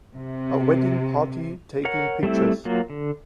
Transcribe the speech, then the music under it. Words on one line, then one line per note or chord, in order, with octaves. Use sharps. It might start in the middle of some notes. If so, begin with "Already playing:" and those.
A wedding party taking pictures.
C3
A#4 C#5 F#5 A#5
G3 A3 C4 E4
F#3 A#3 F4
D3